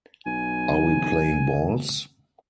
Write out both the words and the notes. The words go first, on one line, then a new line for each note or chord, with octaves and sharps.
Are we playing balls?
B1 G#5